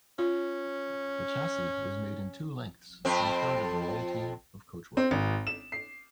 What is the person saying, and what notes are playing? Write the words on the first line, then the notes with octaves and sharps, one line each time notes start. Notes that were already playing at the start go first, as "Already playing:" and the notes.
The chassis was made in two lengths and carried a variety of coachwork.
C#4 F4
F2 C4
C4
G#1
E7
C7